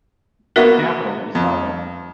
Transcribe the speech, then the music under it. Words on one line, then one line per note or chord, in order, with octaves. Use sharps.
Its capital is Sibut.
A#3 B3 F#4 A#4 E5 F#5
F2